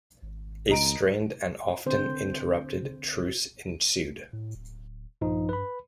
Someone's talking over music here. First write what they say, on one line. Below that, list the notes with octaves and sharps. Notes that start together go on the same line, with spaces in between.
A strained and often interrupted truce ensued.
G#1
C#2 D#5 A#5 D7
D3 C4 C5
A2
D1
A#1 G2 F3 D#4
B4 B5